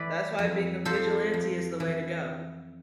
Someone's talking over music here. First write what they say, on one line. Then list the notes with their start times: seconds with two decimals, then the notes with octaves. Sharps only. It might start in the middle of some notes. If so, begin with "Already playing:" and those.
That's why being a vigilante is the way to go.
Already playing: E3 B4 D5
0.39 F2
0.85 F3 A4 C5
1.34 F2
1.80 E3